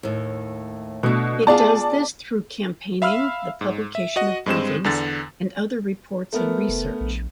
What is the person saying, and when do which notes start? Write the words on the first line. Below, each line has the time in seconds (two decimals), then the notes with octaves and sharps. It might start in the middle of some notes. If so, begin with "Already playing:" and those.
It does this through campaigning, the publication of briefings and other reports and research.
0.03 D#2 A2
1.03 B2 A3 D4
1.47 B3 F4 G#4 D5 A5
3.02 E5 F5 B5 E6 F6
3.61 G#2
3.95 E5
4.16 F#4 D#5 F#5
4.46 G2 G#3 C4 E7
4.84 E2 D3 A6
6.33 A3 B3 A#4
6.68 F1
7.00 A#1